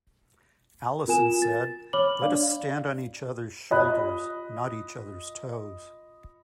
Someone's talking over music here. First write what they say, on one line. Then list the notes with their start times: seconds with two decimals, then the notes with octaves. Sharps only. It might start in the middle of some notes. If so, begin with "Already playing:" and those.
Allison said, Let us stand on each others' shoulders; not each others' toes.
1.08 F4 A#4 G#5 E7
1.42 A6
1.93 C#5 B5 D6 F6 F#7 G7
2.22 D4 D5 F5
3.71 F4 D#5 B5 F#6